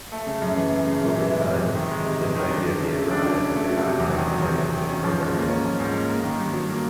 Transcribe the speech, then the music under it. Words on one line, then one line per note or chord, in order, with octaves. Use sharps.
Over time, this idea gave rise to aspect-oriented programming.
A3
C#3
F#2
E3
A3
C#3
F#2
E3
G#3
C3
F2
D#3
G#3
C3
F2
D#3
D4
F#3
C#3
A3
D4
F#3
C#3
A3
F#3
C3
E2
D#3
F#3
C3
E2
D#3
C#4
F3
G#2
A#3
C#4
F3
G#2
A#3
A#3
D#3
G2
F#3
A#3